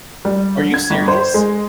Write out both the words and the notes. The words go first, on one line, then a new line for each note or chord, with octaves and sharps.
Are you serious?
G3
D3
G#6
G1
C5
G#3